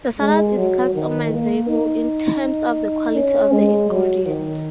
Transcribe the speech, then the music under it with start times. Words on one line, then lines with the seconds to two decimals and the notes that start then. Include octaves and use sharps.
The salad is customizable in terms of the quality of the ingredients.
0.20 G#3
0.57 F#3
0.95 D#3
1.31 A#3
1.68 D#4
3.15 C#4
3.53 G#3
3.90 F#3
4.26 D#3